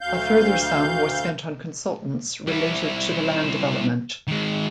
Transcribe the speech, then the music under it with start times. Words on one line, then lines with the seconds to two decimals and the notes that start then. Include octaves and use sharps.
A further sum was spent on consultants related to the land development.
0.01 D2 F5 G6
2.47 G3 E4
4.28 D#3 G#3